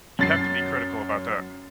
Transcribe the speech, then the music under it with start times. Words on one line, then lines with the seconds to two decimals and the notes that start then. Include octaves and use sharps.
you have to be critical about that.
0.19 F#2 A6 C7